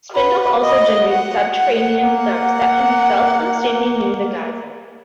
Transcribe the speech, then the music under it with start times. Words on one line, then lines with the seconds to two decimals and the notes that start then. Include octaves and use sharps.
Spindle also generates subterranean thumps that can be felt when standing near the geyser.
0.15 F#4 B4
0.62 D#5
1.09 F#5
1.56 F#5
2.03 A#3 F#5